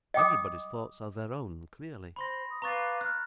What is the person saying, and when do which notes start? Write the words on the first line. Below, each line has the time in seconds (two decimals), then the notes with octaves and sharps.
Everybody's thoughts are their own, clearly.'
0.14 D#5 G5 D6 D#6
2.16 C5 B5 C6 A#6
2.50 D#6
2.62 B4 F5 A#5 C#6 D6 A6
3.01 F6 F#6